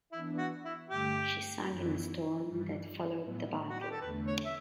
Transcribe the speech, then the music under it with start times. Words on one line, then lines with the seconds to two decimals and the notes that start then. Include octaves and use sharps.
She sank in the storm that followed the battle.
0.12 E3 B3 D4 E4
0.38 F#4
0.65 E4
0.90 G2 D3 A3 G4
1.68 F#2 E3 B3 E4
2.46 G2 E3 G3
3.23 A2 F#3 B3 E4
3.69 F#4
3.80 G4
3.91 A4
4.01 E2 D3 A3 B4
4.27 C#5
4.45 E5